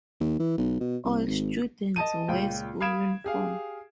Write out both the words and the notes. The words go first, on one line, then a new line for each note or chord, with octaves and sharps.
All students wear school uniform.
D#2
E3
B1
B2
C2
G#1
D#5 A5 D#7
C#2 A#2 G5
F5 B5 D#6 G#6 D7 E7
G4 G#4 F5